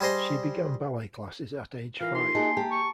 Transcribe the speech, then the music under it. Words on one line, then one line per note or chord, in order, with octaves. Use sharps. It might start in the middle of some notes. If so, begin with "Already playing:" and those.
She began ballet classes at age five.
G3 G#4 C5 D#5 C6
E3 F4 A#4 F5 A#6
D#4 G4 C6
A#3 D#4 F#4 G#4 G#5 A5
G4 A5 A#5
C#6